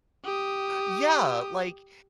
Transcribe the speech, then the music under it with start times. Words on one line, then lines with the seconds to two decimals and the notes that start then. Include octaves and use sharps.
Yeah, like,
0.24 G4 D#6